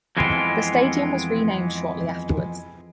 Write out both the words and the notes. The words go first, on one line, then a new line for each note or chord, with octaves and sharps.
The stadium was renamed shortly afterwards.
F2 E3 G#3 B3 C4 F4